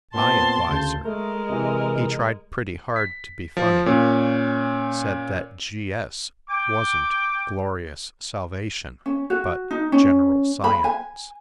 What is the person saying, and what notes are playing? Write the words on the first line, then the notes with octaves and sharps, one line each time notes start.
My adviser--he tried pretty hard to be funny--said that G.S. wasn't glorious salvation but general science.
A#2 B3 C4 A5 C6
D2 C#3 G6
G#3 A3 A#4
C3 E3
B6
F3
A#2 C#4
G5 D6
C#4
F#4
D#4
C#4
B5
G#5